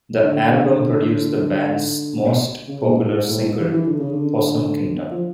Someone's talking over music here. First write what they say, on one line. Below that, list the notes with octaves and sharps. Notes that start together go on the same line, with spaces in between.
The album produced the band's most popular single, "Possum Kingdom".
D3
C#3
A#2
A2
A2
E3
E3
D3
C#3
D3
F3